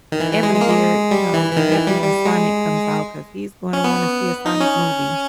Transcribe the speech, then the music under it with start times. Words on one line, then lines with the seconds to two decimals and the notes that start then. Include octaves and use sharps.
every year, you know, we're happy when Sonic comes out 'cause he's gonna wanna see a Sonic movie.
0.12 D#3
0.20 E3
0.31 E3
0.43 G#3
0.54 G#3
0.61 A#3
0.69 G#3
1.11 G3
1.34 E3
1.52 E3
1.57 D#3
1.72 E3
1.87 G3
2.02 G3
2.25 G#3
3.73 C#4
3.84 B3
4.46 D#4
4.60 C#4